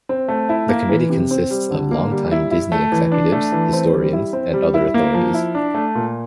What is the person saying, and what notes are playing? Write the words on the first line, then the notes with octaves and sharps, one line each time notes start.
The committee consists of long-time Disney executives, historians, and other authorities.
C4
A3
E4
A#3
E3
C3
C4
G3
D3
A#3
G3
E4
E4
A3
E3
D4
A3
E3
C4
G3
E4
C4
G3
E4
A#3
F3
E4
D4
A3
A#2